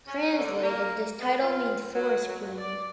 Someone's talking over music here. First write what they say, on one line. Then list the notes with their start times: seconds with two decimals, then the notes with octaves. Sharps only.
Translated, this title means Forest Queen.
0.08 C#4
0.37 D3
0.62 A#3
1.18 B3
1.41 F4
1.93 F#3
2.28 F#3
2.40 G2
2.58 D5